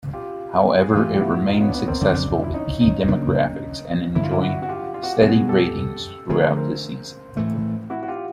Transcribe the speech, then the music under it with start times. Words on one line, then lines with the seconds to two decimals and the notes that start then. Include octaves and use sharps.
However, it remained successful with key demographics and enjoyed steady ratings throughout the season.
0.13 F4 G4
0.82 G#4
0.93 G#2 E3 A3 F4 G4
1.15 G4
1.20 E4 F#4
1.47 D#4 F4
1.61 B3 C#4
1.68 D4
1.74 B3 C#4
1.87 A#3 C4
2.01 F2 C#3 F#3 C4 D4
2.44 E4
2.54 C#4 D#4
2.81 C#4 D#4
3.08 C#3 F#3 A#3 D4
4.15 G2 D3 F#3 E4
4.24 F4
4.31 D4 E4
4.42 E4 F#4
4.62 F#4
4.69 F4 G4
4.94 F4
5.03 F#4
5.13 G4
5.22 B2 G3 B3 F#4 G#4
5.49 G4 A4
6.30 D3 F3 A3 G#4 A#4
6.56 A#4 C5
7.37 A2 E3 A3
7.90 E4 F#4
8.03 F#4
8.08 F4 G4